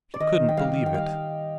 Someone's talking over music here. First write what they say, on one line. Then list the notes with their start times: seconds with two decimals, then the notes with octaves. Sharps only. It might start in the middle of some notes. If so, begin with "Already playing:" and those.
She couldn't believe it.
0.14 D5
0.20 D#3 D#5
0.40 D#3
0.49 G5
0.57 G3 F5
0.76 D#3
0.86 G5
0.94 G3 F5